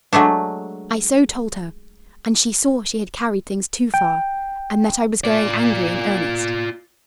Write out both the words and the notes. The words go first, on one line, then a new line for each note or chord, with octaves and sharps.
I so told her, and she saw she had carried things too far, and that I was growing angry in earnest.
F#3 G#3 A3 D4
G5
F4 D5